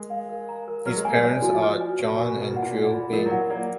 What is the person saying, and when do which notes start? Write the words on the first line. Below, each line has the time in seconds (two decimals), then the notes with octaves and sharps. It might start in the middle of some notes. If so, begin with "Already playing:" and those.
His parents are John and Jill Bean.
Already playing: G#3 A#4
0.10 F5
0.29 A#4
0.49 A#5
0.68 A#4
0.86 F#3 B4
0.96 G#3
1.05 A#3 G#5
1.14 G#3
1.24 D5
1.42 F3 F#4
1.62 B4
1.81 G#5
1.99 B2 D5
2.18 B2 F#4
2.37 B2 A#4
2.50 A#2
2.56 F#5
2.62 A#2
2.74 D5
2.94 F4
3.13 F3 A#4
3.26 F#3
3.31 F#5
3.50 A#3 D5